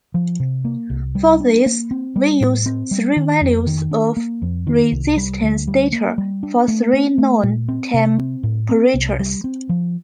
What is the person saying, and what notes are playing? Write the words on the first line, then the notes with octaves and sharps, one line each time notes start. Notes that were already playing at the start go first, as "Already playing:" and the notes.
For this, we use three values of resistance data for three known temperatures.
F3
C3
A#3
C2
G3
D4
A#3
C4
G3
A2
C4
G3
D#3
F2
D#3
D4
A#3
F2
D#3
C2
G3
D2
G3
A#3
G3
D4
A3
C4
A3
A#2
C4
C3
C4
A2
C4
C2
G3
C4
F3